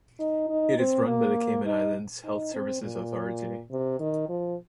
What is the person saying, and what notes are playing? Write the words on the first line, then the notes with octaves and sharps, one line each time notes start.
It is run by the Cayman Islands Health Services Authority.
D#4
D#4
C4
A#3
D#4
D#4
C4
A#2
C3
D#3
F3